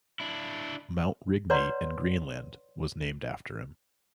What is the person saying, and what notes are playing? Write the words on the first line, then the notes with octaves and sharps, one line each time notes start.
Mount Rigny in Greenland, was named after him.
D4 E4
B4 C#5 D5 F#5 A#5 C6